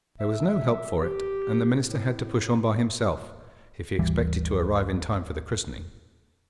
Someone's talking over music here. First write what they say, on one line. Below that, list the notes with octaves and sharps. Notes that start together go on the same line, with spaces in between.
There was no help for it, and the minister had to push on by himself, if he expected to arrive in time for the christening.
E5
G4
A2
G#1 D#2 E3 G3